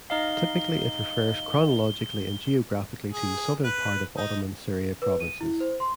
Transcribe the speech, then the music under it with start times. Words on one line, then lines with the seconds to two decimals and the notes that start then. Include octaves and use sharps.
Typically it refers chronologically and geographically to the southern part of Ottoman Syria provinces.
0.10 D#4 D#5 F5 G7
3.13 G#4
3.64 B4
4.17 D#4
5.02 B4
5.20 D#7
5.41 E4
5.60 C5
5.80 C6